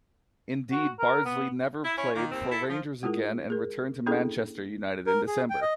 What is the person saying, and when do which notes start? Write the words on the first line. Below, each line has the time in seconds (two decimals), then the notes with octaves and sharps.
Indeed, Bardsley never played for Rangers again and returned to Manchester United in December.
0.72 F#4
0.99 A#4
1.25 B3
1.84 E4
1.97 C#4 E4 C#5
2.15 D#3 A#3
2.32 D#2 C4
2.51 E4 A4
2.69 F3
3.03 G#3 E4 F4 G#4 A#4
3.50 G#4 A#4
4.06 A#3 C#4 D4 E4 G#4 A4
5.07 A#4
5.27 G#4
5.50 G5
5.62 D#5